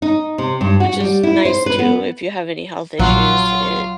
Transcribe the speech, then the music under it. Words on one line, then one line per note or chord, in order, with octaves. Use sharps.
Which is nice, too, if you have any health issues. It
D#4
C3
G2
F#4
G3
E4
C5
B4
B3
A#1 F#3 F4